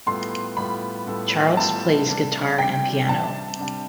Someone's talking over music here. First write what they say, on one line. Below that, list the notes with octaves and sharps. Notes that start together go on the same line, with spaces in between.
Charles plays guitar and piano.
A2 G3 B3 F4 A4 C6
A2 G3 B3 F4 A4 B5
A2 G3 B3 F4 A4
A2 G3 B3 F4 A4 A5
C3 G3 D4
C3 G3 D4 G5
C3 G3 D4 A5
C3 G3 D4